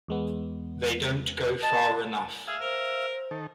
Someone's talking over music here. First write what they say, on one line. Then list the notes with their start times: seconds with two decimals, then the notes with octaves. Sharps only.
They don’t go far enough.
0.08 E2 G#3 B3
1.63 D#5 A5
2.48 G#4 E5 F5
2.61 A#4 C5
3.31 D#3 A4